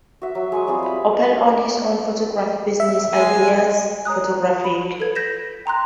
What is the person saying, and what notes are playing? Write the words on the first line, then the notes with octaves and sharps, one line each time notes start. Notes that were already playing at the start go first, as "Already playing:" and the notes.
Opel owned his own photography business, Ideas Photographic.
F#4 E5
F#3
G#3 C#6 D#6
G3 C4 F4 G#4
B5
E5
G#3 G#5
G#5
C#5 A#5 D#6 F#6
B5
A4 B4 G#6
G6 A#6 B6 E7
G5 A#5 C6 F#6